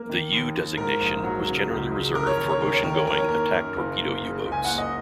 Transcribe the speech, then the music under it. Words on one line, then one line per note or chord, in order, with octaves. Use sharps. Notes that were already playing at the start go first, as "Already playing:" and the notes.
The "U" designation was generally reserved for ocean-going attack torpedo U-boats.
Already playing: A#3 A#4
D#3
D#2
D#2
G#2 A#4
A#1
F#3
C#3
C#2
C#2
C#3 A#4
C#5
D#2 A#4
C#5
D#2 A#4
C#5
D#3 A#4
C#5
D#2 A#4
C#5
A#3 A#4
F#2 A#4
F#1
A#3
C#3
C#2
G#5
A#3 F#5
D#5